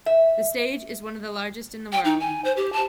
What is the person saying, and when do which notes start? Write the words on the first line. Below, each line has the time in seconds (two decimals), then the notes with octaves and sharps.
The stage is one of the largest in the world.
0.06 E5
1.93 G5
2.05 D#4
2.20 G#5
2.45 C5
2.57 G4
2.73 A5